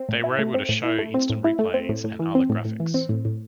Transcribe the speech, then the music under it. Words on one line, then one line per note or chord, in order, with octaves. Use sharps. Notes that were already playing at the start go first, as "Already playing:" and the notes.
They were able to show instant replay and other graphics.
Already playing: C4
A2
E4
A3
C4
A2
E4
A3
C4
A2
E4
A3
C4
A2
A2
E3
C4
A2
A2
E3
C4
A2
A2